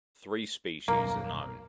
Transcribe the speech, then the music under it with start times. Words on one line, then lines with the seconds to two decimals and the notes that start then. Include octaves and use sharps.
Three species are known.
0.88 D#1 B1 F#2 A#3